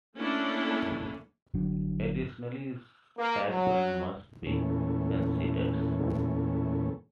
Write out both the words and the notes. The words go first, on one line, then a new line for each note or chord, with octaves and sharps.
Additionally, sideburns must be considered.
A3 A#3 C#4 D4 E4
G1 F#3 D4
A#3
F#3
E2 A#2 A3 C#4